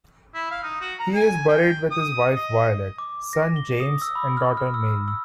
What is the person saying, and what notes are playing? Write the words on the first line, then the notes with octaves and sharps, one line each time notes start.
He is buried with his wife Violet, son James and daughter Mary.
E4
F5
D#4
F#4
A#5
G#5
G5
D#6
D#5
D6
A#6
G7
D#6
E6
B5
F6
F6
E6
E6